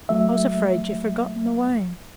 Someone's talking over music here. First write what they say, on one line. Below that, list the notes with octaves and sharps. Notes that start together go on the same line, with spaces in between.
I was afraid you'd forgotten the way.'
F#3 A3 E5